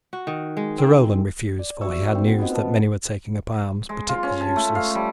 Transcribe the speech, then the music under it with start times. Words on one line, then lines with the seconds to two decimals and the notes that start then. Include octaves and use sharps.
Sir Roland refused, for he had news that many were taking up arms, but it was useless.
0.13 F#4
0.27 D#3
0.57 G#3
0.78 C4
1.59 D5
1.81 F#4 D5 E5 C#6 E6
2.12 B3 C#4 D#4 A#4 C5 G5
2.26 F#4 F#5
2.39 A#3 C4 F4 C5 D#5 F#5
2.51 B4 D#5 A5
3.89 G#3
4.09 F4
4.23 C#4
4.41 A5
4.56 A3
4.75 F5
4.95 G3